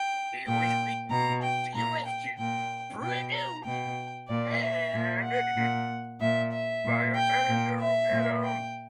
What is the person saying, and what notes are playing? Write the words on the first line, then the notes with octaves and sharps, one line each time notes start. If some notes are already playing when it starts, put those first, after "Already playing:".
It was written, directed, produced and edited by Ozan Duru Adam.
Already playing: G5
A#2 G5
B2 A#5
G5
A#2 A#5
G5
A#2 G5
B2 G5
A#5
B2 G5
A#2 D5
E5
A#2
F#5
A#2
A#2 E5
E5
A#2
G5
A#2
E5
A#2
G5